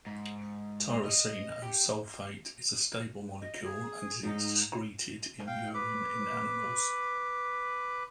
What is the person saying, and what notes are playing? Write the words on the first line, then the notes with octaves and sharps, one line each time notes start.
Tyrosine O-sulfate is a stable molecule and is excreted in urine in animals.
G#2
D#5
G4
D#5
G#4
G#2 D#4
F5 G5
B4 D6